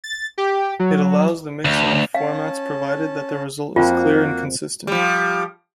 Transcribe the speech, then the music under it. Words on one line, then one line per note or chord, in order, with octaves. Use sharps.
It allows the mixing of formats, provided that the result is clear and consistent.
A6
G4
F#3
D2
C#4 F5 A5
F2 A#3 C4 F4 F#4 A#4
F3 G3